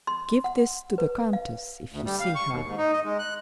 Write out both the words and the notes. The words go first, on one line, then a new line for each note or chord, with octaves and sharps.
"Give this to the countess... if you see her."
C6
F#5
B4
F5
D2
G3
F5
C#6
D#2
G#2
D#4
D#5
G#3
F#6